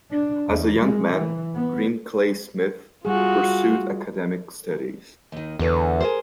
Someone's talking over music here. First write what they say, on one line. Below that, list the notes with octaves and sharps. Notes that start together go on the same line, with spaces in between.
As a young man, Green Clay Smith pursued academic studies.
D4
E2
G#3
E3
B3
G3 F4 F#4 G#4
D#2 D#3
E2 D3 B4 C#5
G#4 A#4 C5